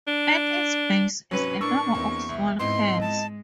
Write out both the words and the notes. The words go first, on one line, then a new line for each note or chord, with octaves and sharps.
At its base is a number of small caves.
D4
G#2 C3 F#3 C#4 B4
A2 D4 A#4 C#6 E6
E2 A#3 C4 D4
C2 E5
G#2 B3 C4 E4 D#5 C6
G#3 A5